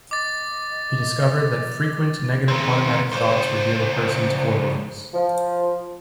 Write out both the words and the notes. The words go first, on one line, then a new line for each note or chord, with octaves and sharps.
He discovered that frequent negative automatic thoughts reveal a person's core beliefs.
D#5 D6 A6
D#3 C4
C#2 C5
F3